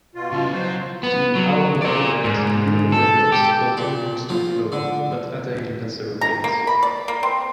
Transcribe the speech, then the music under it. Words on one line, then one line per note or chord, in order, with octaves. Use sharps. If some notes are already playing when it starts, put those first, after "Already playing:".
The Alamo and New Rivers continued to flow, but at a lesser rate.
B2 F4
C#3 E4
F#3 C5
B3
F#3
A#4 D5
G#2
A4
G4
A#2
F3
D3
A#5
A#3
B5
D5
A#3
C4